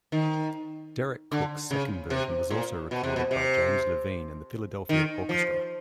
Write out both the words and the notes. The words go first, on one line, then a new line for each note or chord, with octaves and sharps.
Deryck Cooke's second version was also recorded by James Levine and the Philadelphia Orchestra.
D#3
D3
C#3
C3
A#2
B2
C3
B2
C3
D#3
F3